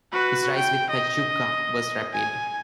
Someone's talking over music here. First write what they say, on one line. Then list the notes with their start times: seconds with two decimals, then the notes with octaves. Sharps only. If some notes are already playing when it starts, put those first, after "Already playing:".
His rise with Pachuca was rapid.
0.13 F#4 B4
0.55 G5
0.90 D#5
2.13 G#5